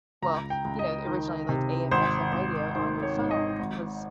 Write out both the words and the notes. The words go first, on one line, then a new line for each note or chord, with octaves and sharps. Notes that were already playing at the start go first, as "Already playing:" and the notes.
well, you know, originally like AM/FM radio on your phone was
C#2 A#5
G5
C#2
D#5
D#3
C3
G#1 C5
G#1
D#3 C5
C#5
G#2
D#5
G#1